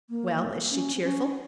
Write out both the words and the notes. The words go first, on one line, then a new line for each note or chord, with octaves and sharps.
"Well, is she cheerful?"
A#3
C#4
C4
C#4